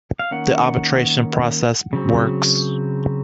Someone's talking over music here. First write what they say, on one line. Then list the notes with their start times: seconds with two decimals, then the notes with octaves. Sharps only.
The arbitration process works.
0.19 F5
0.31 D#3 A#3 C#4 F#5
1.93 C#3 F#3 C4